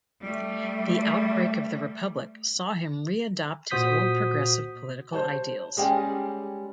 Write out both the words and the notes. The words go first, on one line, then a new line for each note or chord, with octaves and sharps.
The outbreak of the Republic saw him re-adopt his old progressive political ideals.
G3 A3
A#2 F#4 C5 D#6 G6 B6
C5 C#5 A5
G3 G#3 C#4 G#4 G5 G#5